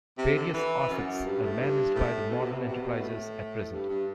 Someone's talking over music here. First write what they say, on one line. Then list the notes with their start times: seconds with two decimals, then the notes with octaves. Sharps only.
Various assets are managed by the modern enterprises at present.
0.18 C3
0.36 D3
0.53 E3
0.89 F#2
1.25 G2
1.42 A2
1.59 G2
1.95 A2
2.30 B2
2.38 C3
2.45 B2
2.52 C3
2.59 B2
2.67 C3
2.73 B2
2.81 C3
2.88 B2
3.01 A2
3.71 G2
3.89 G2